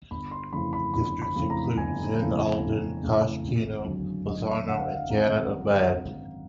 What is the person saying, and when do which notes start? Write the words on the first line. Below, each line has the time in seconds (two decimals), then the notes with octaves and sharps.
Districts include Zeyn Aldin, Koshkeno, Bazarno, and Janat abad.
0.11 G1 B5
0.31 C6
0.53 F2 C#3 E3 A3 B5
0.73 B5
0.94 G1 B5
1.22 B5
1.36 F2 C#3 E3 A3
1.50 A#5
1.77 G1 G#5
2.19 F2 C#3 E3 A3
2.60 G1
3.02 F2 C#3 E3 A3
3.44 G#1
3.84 F#2 D3 F#3
4.26 G#1 D#5
4.67 F#2 D3 F#3 F#5
4.77 F5
4.86 E5
4.95 F5
5.09 G#1 A#5
5.52 F#2 D3 F#3
5.93 G#1